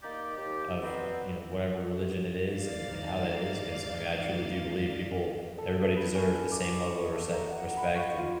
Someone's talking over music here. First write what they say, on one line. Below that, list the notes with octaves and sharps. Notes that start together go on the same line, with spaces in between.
of, you know, whatever religion it is and and how that is 'cause, I mean, I truly do believe people everybody deserves the same level of resect respect and
A#3 D#4 G4 D5
D#2 G4
B2 F#3 G3 B3 C4
G#1 G#2 D#4 D5 F5 A6
A4
B4
C#4
D5
C#6
A3
A#5
F#5
B5
C#6
F4